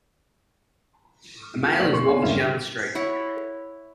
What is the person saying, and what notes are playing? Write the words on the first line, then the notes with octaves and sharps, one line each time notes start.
A male is walking down the street.
F4
A#3 D5 F#7
C6 C#6
C#5 D5 F#5 B5 C6
G1 G#2 A#3 E5 F5 E7
E4 C#5 F#5